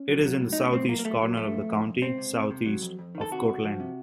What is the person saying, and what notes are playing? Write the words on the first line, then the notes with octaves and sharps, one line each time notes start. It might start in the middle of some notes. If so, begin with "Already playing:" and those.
It is in the southeast corner of the county, southeast of Cortland.
Already playing: C#4
F#3
F#3
A2
A2 D#4
C#4
F#2 C4
F#2 A#3
A#3
F#2 A3
F#2 F#3
F3 A3
F2
F2
F2
C#2 C4
C3
C3
C3
F#3
F2
F2
D#3
A4
C3 F#4
C#2
F3
C3